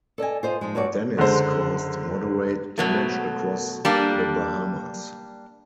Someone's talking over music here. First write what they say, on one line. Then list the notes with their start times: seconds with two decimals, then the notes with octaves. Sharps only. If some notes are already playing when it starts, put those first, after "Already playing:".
Dennis caused moderate damage across the Bahamas.
0.18 A4 D5 D#5 G#5
0.43 F4 C5 D#5
0.61 G#2 F3 G#3
0.75 G2 F#4 C#5 D5
1.17 F#1 D3 G#3 C5
2.78 B2 F#3 A3
3.85 G3 A#3 D4